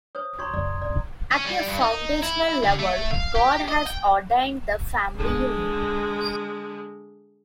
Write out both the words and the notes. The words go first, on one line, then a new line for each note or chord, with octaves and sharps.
At a foundational level, God has ordained the family unit.
C5 C#5 D#6
F#4 C#5 A#5 C6 C#6 G#6
F#1 C#3 D5
D5
C#4
G3
G2
D#4
E4
D3
A3
F5
G4
D#5
G5
D3 G#3